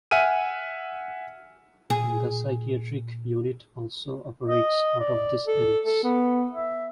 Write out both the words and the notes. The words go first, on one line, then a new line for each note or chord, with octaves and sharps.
The psychiatric unit also operates out of this Annex.
E5 F#5 G#5 F6 D#7
A#2 G#4
D#5
D5
A4
A4
B3
E5